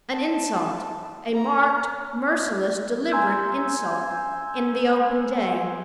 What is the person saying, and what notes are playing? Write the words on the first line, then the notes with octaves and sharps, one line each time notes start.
An insult--a marked, merciless, deliberate insult in the open day!
A5
A#5
G#5 A#5 C6 E6 G6 G#6